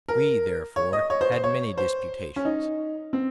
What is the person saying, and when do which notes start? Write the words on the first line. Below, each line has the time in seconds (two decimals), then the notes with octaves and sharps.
We therefore had many disputations.
0.08 A#4
0.76 C#5
0.93 D#5
1.10 C#5
1.21 C5
1.32 C5
1.44 C#5
1.77 C5
2.36 C#4
2.45 D#4
3.13 C4